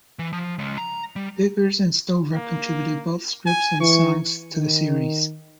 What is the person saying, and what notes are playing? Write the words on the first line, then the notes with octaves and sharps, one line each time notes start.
Biggers and Stover contributed both scripts and songs to the series.
E3
F3
C#3 G#3
A#5
G3
A#3
G#5
E3 C#6
D#3